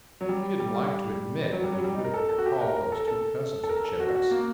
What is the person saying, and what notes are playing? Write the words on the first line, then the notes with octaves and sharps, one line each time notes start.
He didn't like to admit that he couldn't recall those two cousins of Chebec's.
F#3
G3
G3
G3
F#3
G3
F#3
G3
D#4
A#4
A4
A4
F#4
G4
A#4
A#4
A4
A#4
A4
A4
A#4
A4
F#4
F#4
A#3